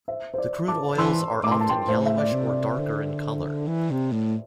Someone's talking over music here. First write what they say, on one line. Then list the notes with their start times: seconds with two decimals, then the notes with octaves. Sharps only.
The crude oils are often yellowish or darker in colour.
0.08 C5 E5
0.34 C5
0.38 D5
0.68 A5 D6
0.98 E3 C6 E6
1.44 A2 D6
1.51 C6
1.61 A5
1.69 G5 C6
1.88 A2 C5
2.06 E5
2.18 D5
2.32 C3
2.47 D5
2.78 D3
3.68 E3
3.91 C3
4.12 A2